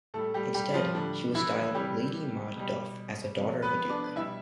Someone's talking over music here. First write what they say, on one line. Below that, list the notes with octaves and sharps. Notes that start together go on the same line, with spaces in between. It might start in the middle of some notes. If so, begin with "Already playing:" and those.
Instead she was styled "Lady Maud Duff", as the daughter of a duke.
A2 G3 A3 A4
G3 G4
G3 G4
F3 F4
A2 D3 G3 D4
E3 E4
C3 E3 G3 G4
B2 G3
C3 F3
B3 B4
D4 D5
B2 G3 E4 E5